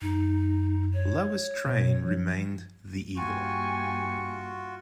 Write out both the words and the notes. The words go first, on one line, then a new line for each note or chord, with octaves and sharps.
Louis train remained the "Eagle".
F#2 D#4
C#5
B2
F3
G2 A#3 F4 F#4 G5 G#5 C#6